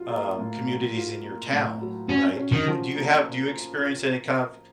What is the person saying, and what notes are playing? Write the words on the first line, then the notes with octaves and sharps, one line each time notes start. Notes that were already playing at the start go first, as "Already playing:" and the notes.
um, communities in your town, right? Do you do you have do you experience any kind of,
Already playing: F#3 F4
A#3
A2
F#3
F4
A#3
A2
F#3
C#4 F#4
C#4
D#3
F3
A#3